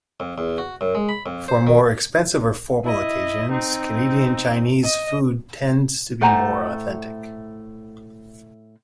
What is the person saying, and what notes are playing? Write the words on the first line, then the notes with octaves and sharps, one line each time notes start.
For more expensive or formal occasions, Canadian Chinese food tends to be more authentic.
F2
E2
F#4
F#2
G#3
B5
F2
C5
D#3
E4 D#5
C4 D#4
D#5
A2 A3 C5 F#5 G#5 A#5